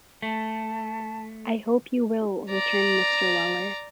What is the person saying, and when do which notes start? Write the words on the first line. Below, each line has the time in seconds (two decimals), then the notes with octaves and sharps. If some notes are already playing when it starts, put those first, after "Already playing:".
'I hope you will,’ returned Mr. Weller.
0.22 A3 A5
2.51 D5 A#5